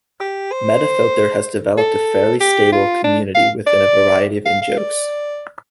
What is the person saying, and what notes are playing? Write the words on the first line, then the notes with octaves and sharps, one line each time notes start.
MetaFilter has developed a fairly stable community with a variety of in-jokes.
G4
C5
A4
G4
F4
D4
F5
D5
F5
F5
D5